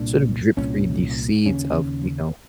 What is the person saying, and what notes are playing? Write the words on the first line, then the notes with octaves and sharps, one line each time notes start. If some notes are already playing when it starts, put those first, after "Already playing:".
sort of drip-feed these seeds of, you know,
Already playing: C2 A#2 D4
C2 A#2 C#4
D#2 C#3 C#4